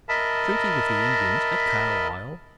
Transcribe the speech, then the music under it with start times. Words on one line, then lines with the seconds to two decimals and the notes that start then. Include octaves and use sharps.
Treaty with the Indians at Carlisle.
0.09 A#4 D#5 E5 A5 B5